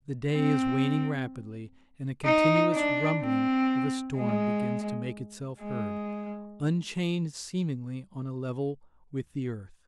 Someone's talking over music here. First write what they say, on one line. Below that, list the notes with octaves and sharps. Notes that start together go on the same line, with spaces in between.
The day is waning rapidly, and a continuous rumbling of a storm begins to make itself heard, unchained seemingly on a level with the earth.
C4
D#4
D4
C4
G#3
G#3